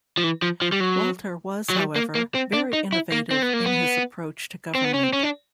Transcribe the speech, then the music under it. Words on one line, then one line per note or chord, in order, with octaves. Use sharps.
Walter was, however, very innovative in his approach to government.
F3
E3
F3
F3
G3
F#3
F#3
G3
A#3
A#3
C4
D4
D#4
E4
A#3
C4
B3
A#3
B3
C4
B3
C#4
C4
C#4
D4